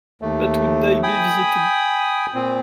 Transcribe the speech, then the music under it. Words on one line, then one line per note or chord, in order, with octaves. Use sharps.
But would they be visited?
D#2 A3
G5 G#5 B5 D#6
A#2 C4